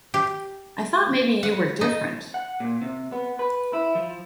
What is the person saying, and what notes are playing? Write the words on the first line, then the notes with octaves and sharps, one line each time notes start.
I thought maybe you were different.
G4
F#5
D#4
F#5
A#2
C3
B3
B4
E4
F3